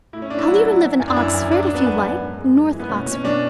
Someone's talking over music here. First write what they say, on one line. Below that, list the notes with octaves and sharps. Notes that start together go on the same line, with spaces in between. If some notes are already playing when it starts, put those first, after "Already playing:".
I'll even live in Oxford if you like--North Oxford.
A2 E4
C#4
A2 D4
E4
F#3 F#4
F#3
E3
F#2
D4
F#2 E4
F#2
F#3 D4
D4
F#2
B3
F#2 B3
F#2
G#2
G#3
G#3
E3
B3
B2 C#4
B2 C#4
B2 D4